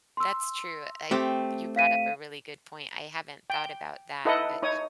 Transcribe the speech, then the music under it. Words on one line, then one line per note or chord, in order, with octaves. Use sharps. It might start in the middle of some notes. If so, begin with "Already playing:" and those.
That's true, I you brought up a really good point, I haven't thought about that, but
C6 E6
A3 C4 G4
F5 B6 D#7
G5
D#4 E4 A4 B4 D#5 F#5
D#4 C#5 D#6